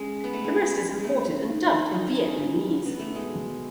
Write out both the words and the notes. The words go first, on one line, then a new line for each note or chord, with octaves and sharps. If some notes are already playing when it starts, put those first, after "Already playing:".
The rest is imported and dubbed in Vietnamese.
Already playing: C#3 G#3
B3
A3
C#3 G#3
G#3
B2 A3
C#3
B2
C#3
D#3
C#4
D#3 D#4
C#4
C#3
B3
A3
B2 G#3